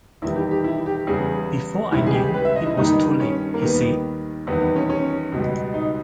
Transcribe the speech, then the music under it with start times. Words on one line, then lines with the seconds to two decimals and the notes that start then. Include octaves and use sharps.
Before I knew, it was too late, he said.
0.22 E2 D#3 G3 E4
0.36 G4
0.51 G4
0.64 E4
0.86 G4
1.07 E2 C#3 G3 G#4
1.92 C#2 C#3 E3 G3 E4
2.06 G#4
2.13 G4
2.34 B4
2.45 E5
2.56 D#5
2.67 E4
2.77 G2 D#3 G3 D#4
3.20 C#4
3.54 A#3
3.62 D#2 D#3 G3 B3
4.47 E2 D#3 G3 B3
4.61 B3
4.76 C#4
4.89 C#4
5.32 C#2 B2 G3
5.74 D#4